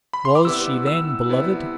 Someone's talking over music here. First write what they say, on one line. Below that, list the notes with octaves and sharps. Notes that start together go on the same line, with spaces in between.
Was she then beloved?
B5
C6
D6
C3 G3 B3 E4 E6
E6
C3 G3 B3 E4